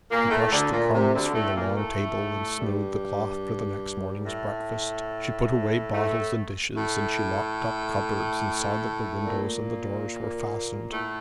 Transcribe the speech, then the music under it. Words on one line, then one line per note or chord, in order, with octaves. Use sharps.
She brushed the crumbs from the long table, and smoothed the cloth for the next morning's breakfast; she put away bottles and dishes, and she locked up cupboards, and saw that the windows and the doors were fastened.
A#2 A#3
A2 A3
D2 D3
A#2
C3
D2 D3
A2 A3
A#2 A#3
A2 A3
G2 G3
A2 A3
A2 A3
A2 A3
A#2 A#3
A2 A3